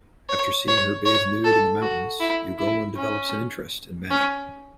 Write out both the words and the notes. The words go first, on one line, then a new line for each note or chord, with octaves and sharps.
After seeing her bathe nude in the mountains, Ugolin develops an interest in Manon.
C#5
C#5
C#5
A4
F#4
E4
E4
C#4
C#4